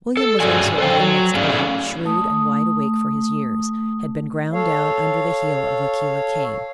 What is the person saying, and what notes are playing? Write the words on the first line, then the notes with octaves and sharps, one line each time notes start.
William was also of unmixed blood, shrewd and wide-awake for his years,--had been ground down under the heel of Aquila Cain.
A4
G2 C#4 F#4 G#4 D5 G#5
A4 C5 G5
F#3
A3 C#4 D#4 G#4 D5 F5
A3 D#6
A4 C#5 F5